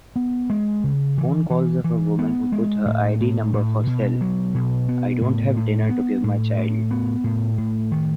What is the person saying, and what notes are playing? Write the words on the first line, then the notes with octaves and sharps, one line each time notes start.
Phone calls of a woman who put her ID number for sell, I don’t have dinner to give my child!
B3
G#3
C#3
E3
E3
E3
B3
G#3
A2
A2
A2
B2
F#3
B2
B3
A2
A2
B3
A2
A2
B3
A2
A2
D#3